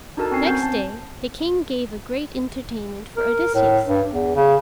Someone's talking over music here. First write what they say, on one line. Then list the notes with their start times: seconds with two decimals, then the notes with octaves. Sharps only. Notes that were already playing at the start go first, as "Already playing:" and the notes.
Next day the King gave a great entertainment for Odysseus.
0.17 D4 D#4 F#4 A4 A#4 A5
0.32 C4 C#4 G#5 C7
0.46 B3 C4 G6
0.62 A5
3.17 A#4
3.55 A2
3.88 G2
4.11 E2
4.36 C#3